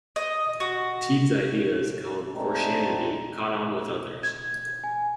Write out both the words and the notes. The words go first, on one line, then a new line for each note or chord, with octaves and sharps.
Teed's ideas, called Koreshanity, caught on with others.
D#5
F#4
G#3 A3 C4 D4 D#4
G#6
G#5